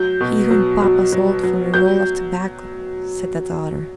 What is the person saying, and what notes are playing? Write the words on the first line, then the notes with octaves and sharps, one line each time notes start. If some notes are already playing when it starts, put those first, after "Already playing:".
"He whom papa sold for a roll of tobacco," said the daughter.
Already playing: F#3 G6
B2
F#3
F#3
F#3
F#3
F#3 G6